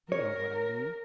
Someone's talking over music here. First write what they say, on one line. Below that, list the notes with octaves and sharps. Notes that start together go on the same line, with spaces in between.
You know what I mean.
A#4 C#5